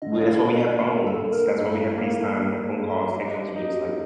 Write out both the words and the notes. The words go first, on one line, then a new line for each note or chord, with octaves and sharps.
we that's why we have phones, that's why we have FaceTime, we have phone calls, text messages, like,
D3 D#5
F5
D5
A#3 D#5
D5
D3 A#4
A4
A#3
A#4
G2 A4
A#3
A#3
G2
D#4 G4
D#4